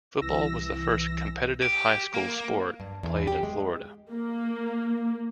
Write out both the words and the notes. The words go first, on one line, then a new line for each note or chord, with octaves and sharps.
Football was the first competitive high school sport played in Florida.
C2 E3 E6 A#6
G4
A#3
G2
E2
G4
G#3
A#3